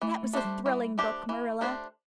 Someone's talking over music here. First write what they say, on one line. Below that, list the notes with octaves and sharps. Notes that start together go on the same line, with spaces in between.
That was a thrilling book, Marilla.
E3 A3
A3
A3 D4 G4 C5
G3
E3
A3 D4 G4 C5
E3
A3 D4 G4 C5